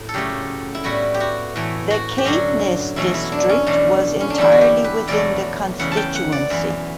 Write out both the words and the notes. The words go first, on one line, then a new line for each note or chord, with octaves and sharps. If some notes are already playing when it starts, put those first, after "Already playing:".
The Caithness district was entirely within the constituency.
Already playing: A2
A4
C#3 F#3 A3 G4
E4
A2 G3 B3 F#4
G4
F#4
A2 E3 A3
F#4
G4
F#2 D3 F#3 F#4
E2 B2 F#3 A3 E4
E4
D4
C#4
E2 B2 A3 D4
C#4
D4
E2 D3 G3 B3 E4
F#4
G4
B4
E2 B2 F#3 A3 D5
C#3 E3 B3 F#5
A5
G5
F#5
D5
F#2 E3 B3